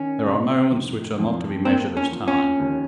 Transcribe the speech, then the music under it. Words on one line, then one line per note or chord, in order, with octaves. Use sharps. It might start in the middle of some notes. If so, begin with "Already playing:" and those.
There are moments which are not to be measured as time.
Already playing: D#3 C#4
C3
F1
F2
A#3 C4
C#4
F3
C#4
D#2